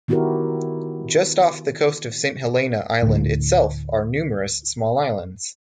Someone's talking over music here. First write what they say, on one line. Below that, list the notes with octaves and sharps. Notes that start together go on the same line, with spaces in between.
Just off the coast of Saint Helena island itself are numerous small islands.
D#3 B3 E4 F#4 G4 A#4
D2 A2